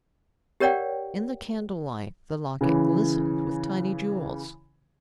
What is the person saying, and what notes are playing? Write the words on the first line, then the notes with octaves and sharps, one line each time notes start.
In the candle-light the locket glistened with tiny jewels.
G4 A#4 C#5 D5 F#5 G5
C#3 E3